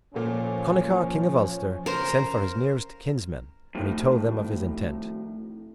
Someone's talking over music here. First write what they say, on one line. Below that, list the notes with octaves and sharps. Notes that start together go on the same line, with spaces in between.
Connachar, king of Ulster, sent for his nearest kinsmen, and he told them of his intent.
A#2 F3 A3 A#3 C#4
C#3 A#4 C5
F2 A2 D#3